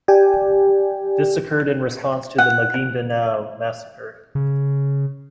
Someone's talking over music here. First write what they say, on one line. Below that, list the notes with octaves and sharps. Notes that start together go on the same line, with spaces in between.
This occurred in response to the Maguindanao massacre.
G4 D5 G5 G#5
F#5
C#3